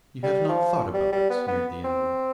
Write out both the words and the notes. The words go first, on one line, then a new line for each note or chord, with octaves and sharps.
'You have not thought about it!' sneered the invalid.
G3
F3
G3
G3
B3
B3
C4